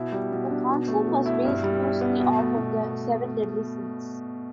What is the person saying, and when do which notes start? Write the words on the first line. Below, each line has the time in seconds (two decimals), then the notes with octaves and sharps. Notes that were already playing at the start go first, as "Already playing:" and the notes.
The concept was based loosely off of The Seven Deadly Sins.
Already playing: B2 E4
0.12 G3
0.32 B2
0.51 D4
0.70 B2
0.88 A3
1.07 B2
1.26 E4
1.45 G2
1.64 G3
1.83 E4
2.01 B3
2.20 B2
2.39 A3
2.58 B2